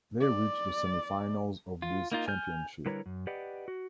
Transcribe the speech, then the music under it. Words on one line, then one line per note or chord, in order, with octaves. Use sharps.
They reach the semi-finals of this championship.
D5
F4
A#3 D#4 F4
G#5 F6 G6
D3 G3 E4 A#4 B4 C#5
F#2
G4 B4 D5 D#5 F#5
F#4